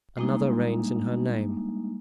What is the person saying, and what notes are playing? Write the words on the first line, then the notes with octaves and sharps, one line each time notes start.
Another reigns in her name.
G3 G#3 A#3 D4 D#4